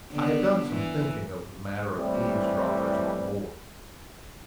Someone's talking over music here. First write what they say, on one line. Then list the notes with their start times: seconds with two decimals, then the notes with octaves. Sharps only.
I had done some thinking over the matter of eavesdroppers on board.
0.13 D3 B3
0.71 E3
1.96 A2 C3 E3 G3